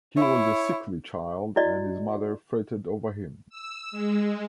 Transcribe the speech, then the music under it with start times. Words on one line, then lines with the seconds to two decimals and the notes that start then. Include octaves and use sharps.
He was a sickly child, and his mother fretted over him.
0.17 E4 C#5
1.56 E4 F#4 D5 D#5
3.49 E6
3.91 G#3